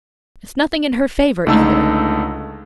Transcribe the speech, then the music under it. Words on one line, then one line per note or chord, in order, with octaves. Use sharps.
It's nothing in her favour, either.
C#2 D3 A3 D#4 A5 E6